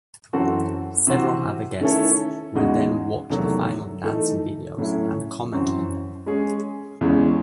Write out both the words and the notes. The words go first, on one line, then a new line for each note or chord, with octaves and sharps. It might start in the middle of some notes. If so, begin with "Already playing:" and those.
Several other guests will then watch the final dancing videos and comment on them.
F#2 E3 C4 F#4 A4
C3 E3 C4 F#4
D#3 A3 C#4 E4 A4
E2 C#3 G#3 D#4 F#4
E2 C3 D#3 F#3 A3
E3 A3 D#4 A4
A2 F#3 A3 C#4 E4
F#2 E3 C4 F#4
G#3 C#4 G#4
E2 C#3 E3 G#3 C#4